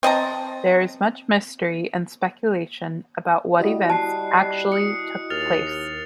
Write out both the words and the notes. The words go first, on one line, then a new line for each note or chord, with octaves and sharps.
There is much mystery and speculation about what events actually took place.
C4 D#5 A5 A#5
G3 E4 F#4 D#5
A5 F#6 C7
D#6 C#7
D#2 F6 A6 F7